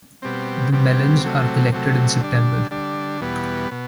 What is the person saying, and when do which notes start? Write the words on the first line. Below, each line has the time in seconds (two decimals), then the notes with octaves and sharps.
The melons are collected in September.
0.22 B2 G3 C4
0.72 B2 G3 C4
1.22 C3 F#3 A3
1.72 C3 F#3 A3
2.21 D3 G3 D4
2.71 D3 G3 D4
3.21 E2 B2 G3 B3
3.71 B2